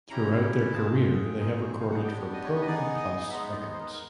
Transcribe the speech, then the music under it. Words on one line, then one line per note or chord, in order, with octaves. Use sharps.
Throughout their career, they have recorded for Probe Plus records.
C#4 E4 G4 A#5
G#3 C4 F4 G#4 A5
F#5
G5
C4 D#4 G#4 G#5
F5
F#5
B3 D4 G4 G5
D#5
C#5
C#5
D#5
B3 D#4 G#4 D5
D#5
G#3 B3 D#4 E5
D5
C#5
C5
A#4
B4
A#4